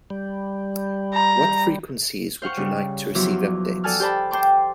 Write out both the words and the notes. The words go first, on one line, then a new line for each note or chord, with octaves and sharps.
What frequencies would you like to receive updates?
G3
A#5
C5 F5 F#5 C#6
C#3 G3
E2 F3 F#3 E4 D6
A4 D5 F#5 G#5 A5 F6
G4 C5 D5 A5 B5
C5 G5 A5 C6 D6